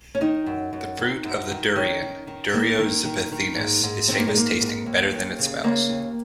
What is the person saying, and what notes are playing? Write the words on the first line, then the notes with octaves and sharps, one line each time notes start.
The fruit of the durian, "Durio zibethinus" is famous, tasting better than it smells.
C#4
D#3 D#4
F#2
F#2
D#3
F#2
D#3
D#3 C#4
D#3
D#3
D#3 A#3
D#3
D#3
D#3
G#2
G#2
D#3 C4
A#3
G#3
G#2 A#3
G#2
D#2
D#2
C#3
C#3 A#3
D#2